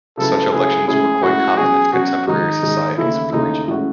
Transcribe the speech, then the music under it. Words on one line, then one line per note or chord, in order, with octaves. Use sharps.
Such elections were quite common in contemporary societies of the region.
C#3 F#3 A3 E4 A4 B4
C#3 F#3 A3 E4 G#4 B4
A2 G#3 C#4 E4 G#4
A2 G#3 C#4 E4 F#4
B2 F#3 C#4 G#4
B2 F#3 C#4 F#4
G#2 D#3 G#3 D#4
G#2 D#3 G#3
D#2 C#3 E3 A3 E4
D#2 C#3 E3 A3 D#4
A2 E3 G#3 C#4 F#4